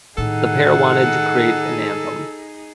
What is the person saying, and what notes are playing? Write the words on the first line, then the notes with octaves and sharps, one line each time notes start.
The pair wanted to create an anthem.
A2 D#3 D#4 G#4 A4 F#5